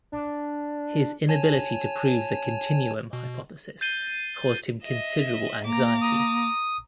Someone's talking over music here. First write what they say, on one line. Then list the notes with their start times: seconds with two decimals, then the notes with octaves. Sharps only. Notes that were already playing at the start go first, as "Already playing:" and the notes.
His inability to prove the continuum hypothesis caused him considerable anxiety.
0.12 D4
1.29 C#5 G#5 A5
3.13 B2
3.81 G6 A6 C7 D#7 G7
4.83 D#5 E5
5.65 A#3 A#5 D6
6.02 D#6